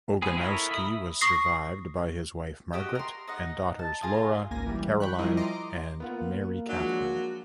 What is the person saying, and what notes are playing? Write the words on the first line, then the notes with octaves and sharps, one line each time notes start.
Ogonowski was survived by his wife Margaret and daughters Laura, Caroline, and Mary Catherine.
B3 C4 G#4
E4 A4 A#4 C#5 D#5
E5 B5 D#6
C#6 D#6 A#6 C7
F#4 G4 D#5
A#4 C6
D#4 D#5 F#5
A5
F4 G#4 A#4
G#1 C#2 A#3 G#5 A#6
E3 G3
G5 B5 C#6 F#6
F3 G3 E4 A#4 C5 D#5
D#5 A#5 C6 D6
A#3 B3 F4 F#5
F3 F#3 G#3 D4